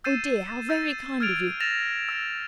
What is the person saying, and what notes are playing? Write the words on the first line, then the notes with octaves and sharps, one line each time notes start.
Oh dear, how very kind of you!
E6 G6 A6 C7 D#7 E7
E6 G6 A6 D#7
E6 F6 G#6 A6 D7 F7
A6 A#6 E7 F7
E6 A#6